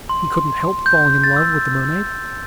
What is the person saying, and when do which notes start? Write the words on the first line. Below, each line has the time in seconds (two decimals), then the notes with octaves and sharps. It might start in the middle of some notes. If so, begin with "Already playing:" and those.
"He couldn't help falling in love with the mermaid."
0.09 C6
0.35 C6
0.60 C6
0.86 G6
1.11 G6
1.24 A6
1.36 E6